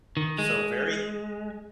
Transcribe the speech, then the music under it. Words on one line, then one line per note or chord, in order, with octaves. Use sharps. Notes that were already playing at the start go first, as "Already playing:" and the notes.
so very
D#3
G#3